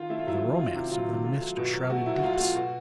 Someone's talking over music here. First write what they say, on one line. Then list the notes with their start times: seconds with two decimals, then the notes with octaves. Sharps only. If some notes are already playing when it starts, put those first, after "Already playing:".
The romance of the mist-shrouded deeps.
Already playing: D#3 F4
0.10 A3 E4
0.19 F4
0.26 F#3 E4
0.42 D#3
0.59 D#3 F4
0.75 C3 E4
0.91 F#3 F4
1.08 D#3
1.24 A3 F4
1.41 F#3
1.57 B2
1.73 F#3
1.90 A3 F#4
2.06 F#3 E4
2.15 F#4
2.23 F#3 F4
2.33 F#4
2.39 A3 F4
2.55 B2 F#4